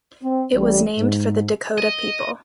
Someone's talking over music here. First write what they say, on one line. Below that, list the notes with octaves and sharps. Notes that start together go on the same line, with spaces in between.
It was named for the Dakota people.
C4
A1 G3
G#2
D#5